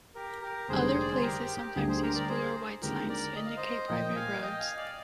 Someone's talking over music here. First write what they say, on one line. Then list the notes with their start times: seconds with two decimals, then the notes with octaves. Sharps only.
Other places sometimes use blue or white signs to indicate private roads.
0.15 G4 A#4
0.42 G4 A#4
0.68 F1 D#2 D3 G3 G#4 C5
1.02 D5
1.12 C5
1.22 G4 A#4
1.40 G4
1.58 G4
1.75 D2 D3 G3 D4 G#4
1.89 G#4 C5
2.02 G4 A#4
2.15 A#4 D5
2.29 G#4 C5
2.82 D#2 D3 G#3 C4 F4 G4 A#4
3.08 A#4 D5
3.36 D#5
3.46 F5
3.57 C5 D#5
3.88 A#2 F3 A#3 F4 D#5 G5
4.16 F5 G#5
4.42 D#5 G5
4.59 F5 G#5
4.77 D5 F5